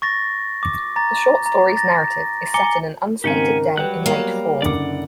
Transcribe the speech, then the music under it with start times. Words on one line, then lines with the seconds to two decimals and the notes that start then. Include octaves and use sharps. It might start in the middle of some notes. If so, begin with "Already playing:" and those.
The short story's narrative is set in an unstated day in late fall.
0.02 C#6 A6 A#6
0.63 D6
0.96 A#5 A6
1.46 A#5
1.77 A6 A#6
2.54 G#5 A#5 D6 C#7 G7
3.24 G#1 C#3 C4 G4 A#4 F#5 G#5
3.77 F#3 G3 B4 F#5 G5 F#6
4.06 A#3 C#5
4.62 F#1 D3 D5 F#5 D6